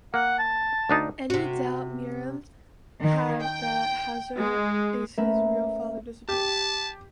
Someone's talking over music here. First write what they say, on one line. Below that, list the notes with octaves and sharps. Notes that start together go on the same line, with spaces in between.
Any doubt Miran had that Hazar is his real father disappears.
A#3 F#5
A5
D2 D4 D#4
C3 F#4
D#3
G5
G#3
A3 C#4 A#4 B4 E5 F#5
G4 A5